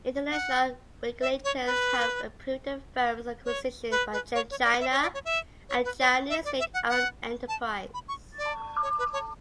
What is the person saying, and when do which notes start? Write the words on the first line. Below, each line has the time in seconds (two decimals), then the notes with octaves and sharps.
International regulators have approved the firm's acquisition by ChemChina, a Chinese state-owned enterprise.
0.31 F#5
1.21 E5
1.44 C#5
1.66 B4
3.45 C#5
3.91 B4
4.13 B4
4.35 C#5
4.51 C#5
4.64 D5
4.80 E5
4.91 C#5
5.02 D5
5.14 C#5
5.25 E5
5.69 C#5
5.85 B4
6.00 C#5
6.29 E5
6.45 D5
6.60 E5
6.74 F#5
6.89 F#5
7.48 A5
7.94 B5
8.08 C#6
8.38 D5
8.83 C#5
8.99 B4
9.13 C#5